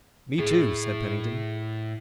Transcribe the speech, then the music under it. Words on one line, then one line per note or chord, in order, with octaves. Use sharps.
"Me, too," said Pennington.
A2 G#4